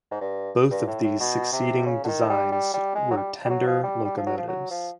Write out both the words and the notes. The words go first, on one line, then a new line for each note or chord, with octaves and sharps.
Both of these succeeding designs were tender locomotives.
G#2
G2
G2
A2
A2
B2
C3
C#3
D3
D#3
G3
G3
G3
G#3
F#3
G3
G3
F#3
F3
G3
G3
F3
F#3
F3
F#3
F3